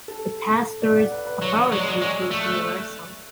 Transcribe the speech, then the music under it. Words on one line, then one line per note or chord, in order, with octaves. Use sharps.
The "pastor's" authority is universal.
A4
D5
F#5
B4
B4
F#3 C#5
C#5
F#3 D5
G#3
F#3 D5
G#3 C#6
E6
A3
F#6
F#6